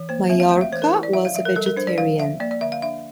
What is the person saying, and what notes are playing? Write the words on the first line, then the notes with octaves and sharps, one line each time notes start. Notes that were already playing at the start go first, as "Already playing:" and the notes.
Maiorca was a vegetarian.
Already playing: E3
A#3 C5
C4 E5
F5
A3 F5
E5
E3 C5
A#4
E4
D5
F3 E5
F5
F3 E5
A#4
G3 A4
A#4
D4 C5
D5
F3 F5
F3 E5
A#3 D5
D5
D3 E5
F5
D4 E5